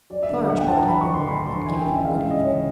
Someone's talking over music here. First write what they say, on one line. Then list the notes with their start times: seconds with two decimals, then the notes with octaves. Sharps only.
Defarge brought him the wine, and gave him Good Evening.
0.10 F#3 D5
0.23 E5
0.29 D3
0.49 D2 F#5
0.58 G5
0.68 D2 A5
0.78 A#5
0.88 F#3 B5
1.01 C#6
1.08 D3
1.14 C6
1.27 D2 B5
1.46 D2 C6
1.66 E3 G#5
1.76 G5
1.86 C#3
1.95 E5
2.04 G#3 F5
2.18 E5
2.25 C#2
2.31 D#5
2.44 E3 C#5